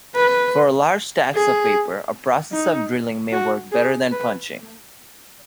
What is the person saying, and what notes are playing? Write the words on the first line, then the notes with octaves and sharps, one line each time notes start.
For large stacks of paper, a process of drilling may work better than punching.
B4
G#4
D#4
F#4
G#4
B4